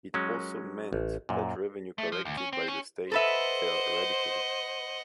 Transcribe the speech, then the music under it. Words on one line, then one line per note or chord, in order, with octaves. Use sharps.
It also meant that revenue collected by the state fell radically.
F#3 G#3 C#4
A1
F#2 A#2
A3
F3
D2
C#4
C4
C#4
A4 B4 C5 D#5 E5 F#5